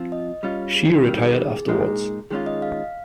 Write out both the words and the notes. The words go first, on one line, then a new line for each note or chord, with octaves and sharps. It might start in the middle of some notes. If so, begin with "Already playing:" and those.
She retired afterwards.
Already playing: F3 C4 F4
D#5
G3 C#4 F4
G#4
D#3 G3 A#3 A#4
G#4
G#4
A#2 G#3 D#4 G#4
D#3 G#3 C#4 F4 G#4
D#5
F5